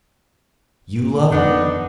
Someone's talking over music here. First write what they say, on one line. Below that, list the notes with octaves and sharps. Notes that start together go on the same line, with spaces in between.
'YOU love him?
F2 B3 D4 D#4